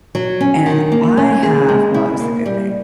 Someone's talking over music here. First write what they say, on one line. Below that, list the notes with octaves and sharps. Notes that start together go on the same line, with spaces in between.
and I have Well, it was a good thing.
F#3
C#4
D#3
A#3
C#4
G#4
G#3
E4
A#3
G3